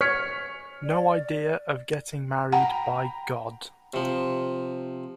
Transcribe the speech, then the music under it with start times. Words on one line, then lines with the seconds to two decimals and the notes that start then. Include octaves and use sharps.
No idea of getting married, by God!
0.01 C#5 F6 B6 C#7
0.84 D5
2.52 F#5 G5 A#5 B5
3.94 C3 F3